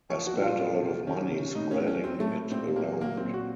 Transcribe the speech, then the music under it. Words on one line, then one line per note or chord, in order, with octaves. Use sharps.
I spent a lot of money spreading it around.
F3 C#5
F#4
A#2
F4
F#3
C3
D#3 C#4
C3
A2 D#4
C#4
F#3
C#4
F#3 C4
A3
A2
A#2 C4
F#3 A#3
F#3 A#3
C4
A#2
F#4